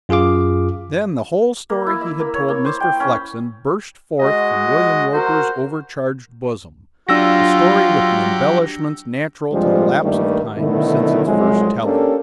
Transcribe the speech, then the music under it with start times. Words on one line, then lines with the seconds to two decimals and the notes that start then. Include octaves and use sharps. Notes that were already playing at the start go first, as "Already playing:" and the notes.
Then the whole story he had told Mr. Flexen burst forth from William Roper's overcharged bosom, the story with the embellishments natural to the lapse of time since its first telling.
0.09 F#2 F4 G#4 F5 D6
1.70 A#3
1.86 E4
2.01 E5
2.20 A#3
2.34 C#5
2.48 A#3
2.65 C5
2.80 G5
3.00 C#4
4.21 G#3 F#4 D#5
5.12 F#4 A#4 C5
7.09 F#3 D4 F4 G4 E6 A#6
9.52 G2 F3 G3 G#3 C4 D4
10.03 G2 D#3 G3 A3 A#3
10.56 B2 D3 D#3 F#3 A3 E4
11.26 C2 F2 F#3 G#3
11.84 A#3 C#4 D4 G4 A4